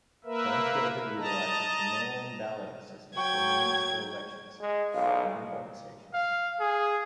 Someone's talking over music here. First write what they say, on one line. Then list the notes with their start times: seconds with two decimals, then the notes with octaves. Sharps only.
French River utilizes the mail-in balloting system for municipal elections rather than polling stations.
0.25 A#3 A#4 B4 E5
1.18 D#5 A5 A#5
3.16 F#3 G5 C#6 G#6
4.60 G#3
4.94 B1 F5
6.14 F5
6.60 G#4